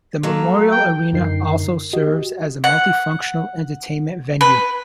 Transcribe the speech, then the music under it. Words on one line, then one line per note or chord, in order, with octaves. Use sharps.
The Memorial Arena also serves as a multi-functional entertainment venue.
F#3 A#3 A4
G5
F#2 D3 D#4 A#4 C7
F#4 G4 D#5
F#5
B4